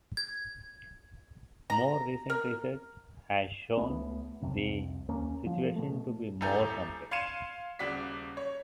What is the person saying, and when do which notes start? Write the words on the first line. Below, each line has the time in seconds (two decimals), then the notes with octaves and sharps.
More recent research has shown the situation to be more complex.
0.17 G#6
1.70 A#5
2.30 A#4
3.77 C#2 A3 B3
4.42 C2 F2 C3
5.08 D#2 A#3 C#4
5.46 F3
5.76 B2 A3
6.41 D#1 E4 A4 G#5 A#5 G6
7.11 F5 C6 G#6 C#7 D#7 E7
7.79 D#1 C#3 F#4 D5 B6
8.37 C#5